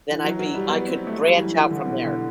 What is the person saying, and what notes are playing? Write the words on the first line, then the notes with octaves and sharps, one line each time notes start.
Then I'd be I could branch out from there.
E3
F#3
F#3
G3
B3
C4
A3
G3
E3
F#3
E3
D3
B2
D3